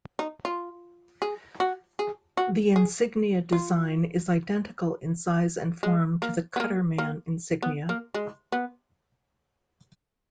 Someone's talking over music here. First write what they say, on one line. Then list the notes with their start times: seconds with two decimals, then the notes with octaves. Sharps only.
The insignia design is identical in size and form to the cutterman insignia.
0.19 D#4
0.45 F4
1.22 G#4
1.60 F#4
1.99 G#4
2.37 F#4
2.76 G#4
3.53 F4
5.83 G#3
6.22 A#3
6.56 B3
6.60 A#3
6.98 A#3
7.62 B3
7.89 A#3
8.14 G#3
8.52 B3